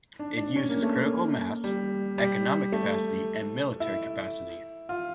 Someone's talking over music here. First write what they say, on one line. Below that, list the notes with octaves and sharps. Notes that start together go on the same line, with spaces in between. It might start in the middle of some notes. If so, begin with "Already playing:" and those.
It uses critical mass, economic capacity and military capacity.
D4
D4
C#4
A#3
A3
A#3
G3
G3
A3
E4
F4